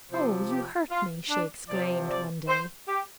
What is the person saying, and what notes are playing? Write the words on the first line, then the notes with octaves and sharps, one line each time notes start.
"Oh--you hurt me!" she exclaimed one day.
C3 F3 C5
G4
F4
D4
C3 F3 D5
D5
C5
G4